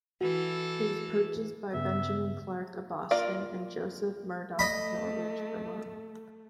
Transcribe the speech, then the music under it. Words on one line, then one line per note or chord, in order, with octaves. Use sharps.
It was purchased by Benjamin Clark of Boston and Joseph Murdock of Norwich, Vermont.
E3 F#4 A4
G2 C#3 B3 E5
A#3 F4 A#4 D5 F5
A3 D#5 B5